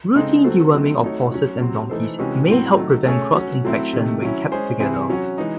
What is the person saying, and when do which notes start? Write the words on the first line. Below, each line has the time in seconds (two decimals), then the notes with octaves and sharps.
Routine deworming of horses and donkeys may help prevent cross infection when kept together.
0.16 C#3 G#3 C4 D#4 A4
0.44 F#3 C4 F#4 A4 C5
0.74 D#3 F#3 A3 C4 F#4
1.03 A3 D#4 F#4 C#5
1.31 F#3 C#4 F#4
1.61 C3 F#3 C4
1.90 E3 A3 D#4 A4 C5
2.19 C3 E3 G#3 C#4 F#4
2.48 A2 F#3 C4
2.77 D#3 F#3 A3
3.05 A3 C#4 G#4 C#5
3.35 F#3 C#4 F#4
3.65 F#3 A3 C4 E4
3.93 C3 D#3 A3
4.22 F#3 C#4 E4
4.52 G#3 C#4 G#4 C5
4.80 C3 E3 C4 E4 G#4
5.10 F#3 C#4 F#4 C#5
5.38 E3 G#3 D#4